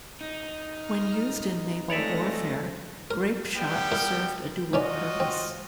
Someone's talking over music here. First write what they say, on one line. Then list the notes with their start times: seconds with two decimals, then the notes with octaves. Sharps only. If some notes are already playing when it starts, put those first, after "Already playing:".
When used in naval warfare, grapeshot served a dual purpose.
0.21 D#4
0.77 A#5 D#6 F6
1.90 G#3 A3 C4 F4 C#5 D5 E5 A#6
3.11 A#4
3.56 G3 B3 G5
3.92 E4 A#4
4.73 E3 C#4 F4 F#4 D5 D#5
5.20 C4